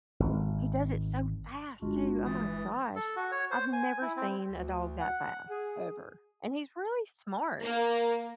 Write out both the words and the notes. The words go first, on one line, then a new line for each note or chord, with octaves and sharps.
He does it so fast too, oh my gosh. I've never seen a dog that fast, ever, and he's really smart.
G#1
G1 G#3 D4 F4 F#4
E3 D#6 A6
A4
F#4
C#5
C5
G#5
E4
C4
D2
F#5
G#4
A#3